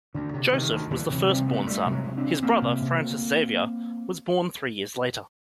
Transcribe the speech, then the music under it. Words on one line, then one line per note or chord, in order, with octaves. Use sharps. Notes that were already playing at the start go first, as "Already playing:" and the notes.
Joseph was the first-born son, his brother Francis Xavier was born three years later.
D2 D3
C3
C3 D#3
D2
D2 D3 E3
C3 E3 F#3
C3 F3 G3
D2 A3 B3
D2 G3 A3
C3
F#3 G#3
C3
C4 D4
D2
D2 A#3 C4
C3
C3
D2